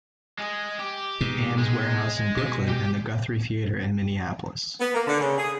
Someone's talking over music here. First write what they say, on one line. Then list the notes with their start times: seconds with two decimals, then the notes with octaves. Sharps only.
Ann's Warehouse in Brooklyn, and the Guthrie Theater in Minneapolis.
0.38 G#3 G#4
0.79 G4
1.21 G#2 B2
1.58 G#3
2.37 B2
2.68 G4 G5
4.80 B3
4.94 A#3
5.06 D3
5.21 C#3
5.38 G#4